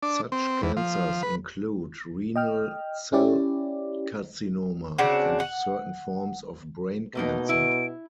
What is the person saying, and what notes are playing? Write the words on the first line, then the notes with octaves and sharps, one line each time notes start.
Such cancers include renal cell carcinoma, and certain forms of brain cancer.
D4
C4
E2
F3
B4
D#5 G5 F6
C#4 E4 G4 D5
C#3 C4 D4 F#4
F#5
B2 A3 A#3 D#4
E4 D7